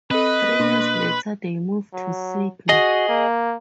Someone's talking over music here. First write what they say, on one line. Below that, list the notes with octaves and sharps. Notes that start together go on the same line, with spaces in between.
Three years later they moved to Sydney.
C4 A4 B4 D#5
B2 A#3 D4 C6
F#3
F#4 G#4 D#5
A#3